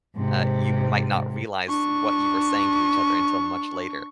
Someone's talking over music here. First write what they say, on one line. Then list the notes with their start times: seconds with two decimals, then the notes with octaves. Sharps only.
uh, you might not realize what you were saying to each other until much later.
0.16 G#2 C3
1.69 D4 C#6